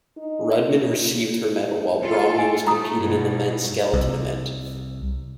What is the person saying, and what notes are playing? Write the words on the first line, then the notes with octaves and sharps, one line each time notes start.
Rudman received her medal while Bromley was competing in the men's skeleton event.
D#4
F4 A4
G5 G#5
A3 A#5 D#6
G2 B2
C2